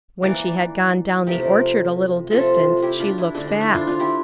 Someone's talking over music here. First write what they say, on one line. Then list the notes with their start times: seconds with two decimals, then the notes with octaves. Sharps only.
When she had gone down the orchard a little distance she looked back.
0.22 E3 A#3 A#4 D5
1.27 C3 F3 A3 G4 A#4
2.30 C3 F3 A3 F4 A4
2.82 E4 G4
3.00 D4 F4
3.18 E4
3.34 D3 A3 D4
3.48 D4
3.61 E4
3.74 D4 F4
3.87 D4 F4
3.99 E4 G4